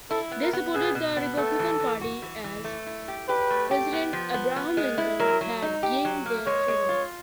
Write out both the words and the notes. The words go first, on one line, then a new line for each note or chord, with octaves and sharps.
They supported the Republican Party, as President Abraham Lincoln had gained their freedom.
E4 A4
B3
A#4
B3
B2 G#4
B2
B3
A3 A4
E3
E3
F#4
E3
E3
A3
E4
G4
G4 B4
A3
G4
B3
F3
B3
B3
G#3
E4
F#3 A#4
F#3
D#4
G4
F#3
A#3
G#3 C#5
G#3
F4